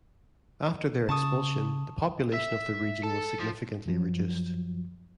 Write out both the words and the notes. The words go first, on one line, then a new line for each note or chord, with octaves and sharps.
After their expulsion the population of the region was significantly reduced.
C#3 A5 C#6 D#6
E5
A4
F3
F#2 F3 F#3